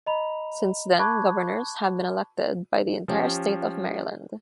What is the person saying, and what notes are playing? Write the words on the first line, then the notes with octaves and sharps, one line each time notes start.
Since then, governors have been elected by the entire state of Maryland.
D#5 A#5 B5 F7
A5 B5 C#6 D6 F#6 G#6
F3 C#4 G4